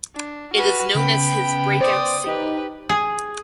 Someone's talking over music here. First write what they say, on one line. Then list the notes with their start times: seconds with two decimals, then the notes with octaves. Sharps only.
It is known as his breakout single.
0.16 D4
0.53 F#4 G#4 B4 F6
0.95 C#3 B3 G5 B5
1.81 C5 D5 D#6
2.26 D#4 G4 B4
2.89 G#4